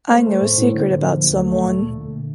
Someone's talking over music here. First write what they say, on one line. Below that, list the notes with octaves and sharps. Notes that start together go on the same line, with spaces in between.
I know a secret about someone.
A3 C5
A3
A2
A2
D3
A#3
F3
D2
A3
A3
A#2
A#2
D3